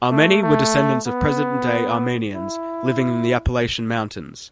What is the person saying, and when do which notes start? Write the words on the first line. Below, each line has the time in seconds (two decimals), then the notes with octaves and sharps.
"Ahrmenee" were descendants of present-day Armenians living in the Appalachian Mountains.
0.11 A3
0.43 A3
1.07 B3
2.34 E4